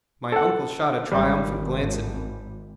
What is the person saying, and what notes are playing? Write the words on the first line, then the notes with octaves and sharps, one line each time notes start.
My uncle shot a triumphant glance at me.
A4 F#5
G#1 G3